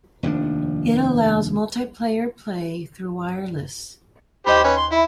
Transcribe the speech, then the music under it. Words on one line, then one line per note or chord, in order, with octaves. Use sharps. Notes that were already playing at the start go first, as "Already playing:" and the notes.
It allows multiplayer play through wireless.
F1 D#2 F3 D4
D#2 G4 C5 D#5 G5 B5
C#4 B4
C6
E4 E5 B5